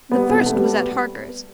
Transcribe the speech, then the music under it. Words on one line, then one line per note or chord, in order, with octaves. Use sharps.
The first was at Harker's.
G3 B3
B2 C4
B3
A3
G3 B3